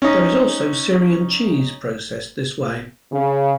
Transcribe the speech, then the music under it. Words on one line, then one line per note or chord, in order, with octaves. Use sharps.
There is also Syrian cheese processed this way.
C#4 D#4
C#3